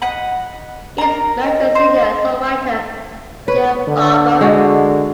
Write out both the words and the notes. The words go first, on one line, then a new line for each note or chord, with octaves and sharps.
He is married to singer-songwriter Jill Barber.
D#5 F#5 B5
A#4 A#5
D#5
C5
B4 C#5
D3
G#3 F#4